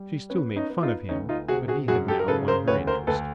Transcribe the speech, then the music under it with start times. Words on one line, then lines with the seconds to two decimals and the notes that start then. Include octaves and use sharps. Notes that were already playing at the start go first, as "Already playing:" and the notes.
She still made fun of him, but he had now won her interest.
Already playing: G3
0.30 B3 C#4
0.56 C#4 D#4
0.70 B3
0.82 D#4 F4
1.09 D2 C#4 D#4
1.29 D#4 F4
1.48 C3 F#4 G#4
1.68 F#4 G#4
1.88 F#2 F#4 G#4
2.08 G4 A4
2.19 A#4
2.28 C#3 A4 B4
2.48 A#4 C5
2.68 D2 B4 C#5
2.87 A#4 C5
3.07 D2 A4 B4